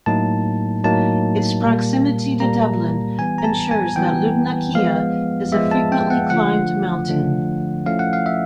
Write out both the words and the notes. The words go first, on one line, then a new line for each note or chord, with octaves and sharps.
Its proximity to Dublin ensures that Lugnaquilla is a frequently climbed mountain.
A2 F#3 A#3 D#4 A5
A2 F#3 A#3 D#4 A5
A#2 G3 A#3
A#2 G3 A#3 A#5
E3 G3 B3 G#5
A#5
A5
G#5
E3 G3 B3 G5
F3 G#3 B3 F5
F3 G#3 B3 E5
A5
G5
F#5
D3 F3 A3 D4 F4 F#5
D3 F3 A3 D4 F4
F3 A3 C#4 E4 F5
F#5
F5
E5